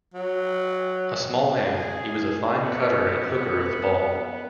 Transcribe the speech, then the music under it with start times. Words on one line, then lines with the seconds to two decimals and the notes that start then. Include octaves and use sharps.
A small man, he was a fine cutter and hooker of the ball.
0.14 F#3
1.72 G#4
2.61 B3